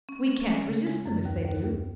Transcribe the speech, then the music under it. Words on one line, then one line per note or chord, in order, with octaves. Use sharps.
We can't resist them, if they do.
C#4
C#4
G#3
C#3
G#3
F#2
D#2
D#2
D#2